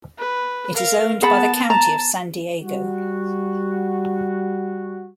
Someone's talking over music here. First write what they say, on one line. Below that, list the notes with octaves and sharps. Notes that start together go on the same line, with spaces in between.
It is owned by the County of San Diego.
B4
A#4 F5
B3 G#4 F#5 A5 B5
A5 A#5
G3 F#4